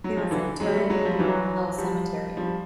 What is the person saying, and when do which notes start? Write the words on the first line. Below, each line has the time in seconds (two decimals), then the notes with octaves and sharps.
He was interred in Crown Hill Cemetery.
0.04 F#3
0.17 F3
0.31 D3 E3
0.60 F#3 G#3
0.75 G3 A3
0.90 F#3 G#3
1.05 F3 G3
1.19 E3 F#3
1.78 F3 G3
2.37 F3 G3